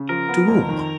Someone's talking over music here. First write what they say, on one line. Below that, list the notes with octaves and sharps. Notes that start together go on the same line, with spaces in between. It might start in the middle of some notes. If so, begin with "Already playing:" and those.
"To whom?"
Already playing: C#3
F3 A#4
B3
F2
D#3